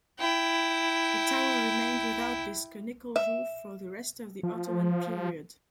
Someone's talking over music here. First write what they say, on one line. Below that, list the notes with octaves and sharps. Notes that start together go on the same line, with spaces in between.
The tower remained without this conical roof for the rest of the Ottoman period.
E4 G5
E5
F3